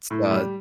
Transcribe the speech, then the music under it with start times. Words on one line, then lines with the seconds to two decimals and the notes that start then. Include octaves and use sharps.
It's, uh,
0.10 A2
0.31 G3